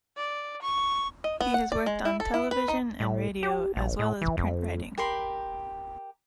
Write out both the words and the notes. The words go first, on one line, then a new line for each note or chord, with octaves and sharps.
He has worked on television and radio as well as print writing.
D5
C#6
D#5
B3
F#5
D5
G#3
E4
A4
E4
B4
D#4
A2
G4
A#1
A2
E3
F2
G4 A#4 B5 C6